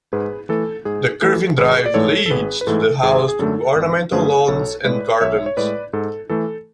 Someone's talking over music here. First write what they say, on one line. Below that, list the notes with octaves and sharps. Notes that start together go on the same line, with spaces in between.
The curving drive leads to the house through ornamental lawns and gardens.
G#2 G#4 B4
E3 A3 A4
G#2 G#4
E3 A3 A4
G#1 G#4 B4
D5
G#2 E3 A3 A4 C#5
A4
G#1 G#4 B4
B4
G#2 E3 A3 A4
G#1 G#4
G#4
F#2 D3 A3 A4
G#1
F#2 D3 A3 G#4 B4
B1 A4 C#5
A2 G#3 B4 D5
B1 C#5 E5
C#5
A2 G#3 B4 D5
G#2 A4
E3 A3 A4